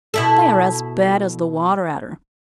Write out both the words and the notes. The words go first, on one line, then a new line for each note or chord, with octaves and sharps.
They are as bad as the Water-Adder.
B2 E4 A4